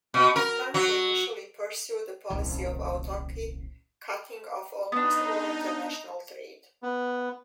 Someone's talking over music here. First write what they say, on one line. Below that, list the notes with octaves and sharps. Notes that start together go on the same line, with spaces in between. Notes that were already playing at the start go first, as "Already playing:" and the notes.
Franco initially pursued a policy of autarky, cutting off almost all international trade.
B2
A#4
F#3
D#1 C2
B3 D4 D#4
B3